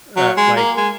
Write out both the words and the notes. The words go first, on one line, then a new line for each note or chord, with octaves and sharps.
Uh, like,
F#3
G#3
A#3
G#3